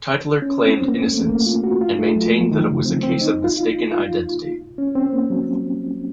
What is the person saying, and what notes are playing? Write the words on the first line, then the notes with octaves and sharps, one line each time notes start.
Tytler claimed innocence, and maintained that it was a case of mistaken identity.
C#4
C4
A#3
A3
A#3
F4
F#4
F4
A3
F#3
F3
D#3
C#3
C4
C4
D#4
F4
F4
C#4
C4
A#3
F#3